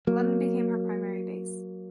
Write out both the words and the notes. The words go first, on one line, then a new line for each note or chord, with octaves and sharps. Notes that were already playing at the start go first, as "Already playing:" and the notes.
London became her primary base.
F#3 A#3